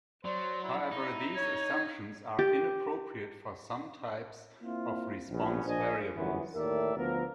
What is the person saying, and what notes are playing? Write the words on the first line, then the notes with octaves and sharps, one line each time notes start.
However, these assumptions are inappropriate for some types of response variables.
F#3 C5 D5
E4
D#4
C#5 G#6
G4
A#3 C4 E4 F4
A#1 E2 G2 B3 C#4
A#1 D4 C5 D#5 G#5
G1 F#2 E3 B3
D#2 A2 A#4 D5 E5
D2 F3 B3 A#4